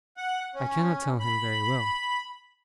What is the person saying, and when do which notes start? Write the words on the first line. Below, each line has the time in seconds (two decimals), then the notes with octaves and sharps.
I cannot tell him very well.
0.17 F#5
0.55 C#4
1.20 B5